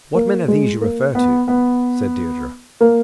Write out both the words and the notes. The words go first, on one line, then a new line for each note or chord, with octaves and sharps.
"What men are these you refer to?" said Deirdre.
A#3
G#3
A#3
B3
B3
A#3